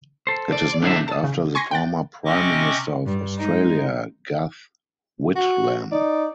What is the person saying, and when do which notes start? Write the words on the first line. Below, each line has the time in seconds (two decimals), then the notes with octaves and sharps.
It is named after the former Prime Minister of Australia, Gough Whitlam.
0.27 A4 C5
0.53 D5
0.83 D3 D4 D#4 G#4 E5
1.08 A5 D#6
1.24 C#3
1.55 G#5 C6 C#6 G#6 A#6
1.71 G5 F#6 A6
2.25 C3 C4 C#4 D#5 C#6 D6
3.06 G2
3.38 G#3 D#4
5.35 F#4
5.91 D#4 D5